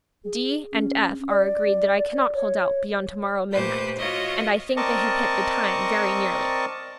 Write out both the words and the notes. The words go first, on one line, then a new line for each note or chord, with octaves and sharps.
D---- and F---- are agreed that I cannot hold out beyond to-morrow midnight; and I think they have hit the time very nearly.
G#4
C#4
D5
C#5
A#2 A3 G4 B4 C5 G6
F4 F#4 C#5 D#5 E5
C4 A#4 D5 D#5 A5 C#6